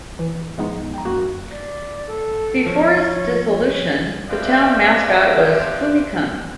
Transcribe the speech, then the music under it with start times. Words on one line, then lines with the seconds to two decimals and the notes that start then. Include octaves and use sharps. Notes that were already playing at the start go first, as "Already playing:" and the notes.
Before its dissolution, the town mascot was "Fumi-kun".
0.19 E3
0.58 F3 G#3 B3 D#4
0.76 B1
0.94 G5 A#5
1.05 F#2 A#3 F#4 F#6
1.51 D5
2.07 A4
2.66 F3 C#5
3.48 C#5
4.29 F3 C4 G4 B4 D5 E5